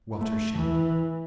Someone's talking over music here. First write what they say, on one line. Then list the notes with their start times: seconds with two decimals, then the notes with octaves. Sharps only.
Walter Shandy.
0.17 A3
0.59 E3